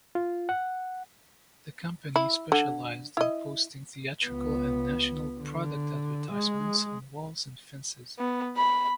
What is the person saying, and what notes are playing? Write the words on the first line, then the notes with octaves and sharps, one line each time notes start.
The company specialized in posting theatrical and national product advertisements on walls and fences.
F4
F#5
E4
D3
E4 D#5
C#2 B3
D3
G#3
B3
B5